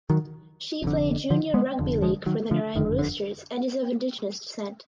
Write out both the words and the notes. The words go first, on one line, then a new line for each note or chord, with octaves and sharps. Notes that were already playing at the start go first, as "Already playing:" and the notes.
She played junior rugby league for the Nerang Roosters and is of Indigenous descent.
D#3 F#3
F1 F2 D3
D3 F3
G#3 B3
F1 F2 D3
F3 G#3
D#3 F#3
D3 F3
F#1 F2 D3 D#3
D3